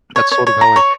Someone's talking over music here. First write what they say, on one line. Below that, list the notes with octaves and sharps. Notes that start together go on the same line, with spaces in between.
That's sort of how I
C#5
C#5
C#5
A#5
C#5